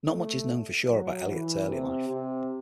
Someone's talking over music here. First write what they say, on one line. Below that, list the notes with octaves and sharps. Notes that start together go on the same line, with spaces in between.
Not much is known for sure about Elliott's early life.
A3
F#3
E3
C3
C3